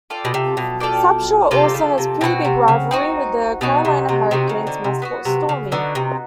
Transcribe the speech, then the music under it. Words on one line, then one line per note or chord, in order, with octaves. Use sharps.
Slapshot also has a pretty big rivalry with the Carolina Hurricanes mascot Stormy.
F4 A4 D5 G5
B2
C3
B2
F4 A4 D5 G5
C3 F4 A4 D5 G5
C#3
C3
B2 C4 D#4 F#4
C3
C#3
C4 D#4 F#4
B2 C4 D#4 F#4
C3
C3
C3 C4 D#4 F#4
C#3
D3
C3
B3 D#4 F#4
C3
C#3
D3 B3 D#4 F#4
C3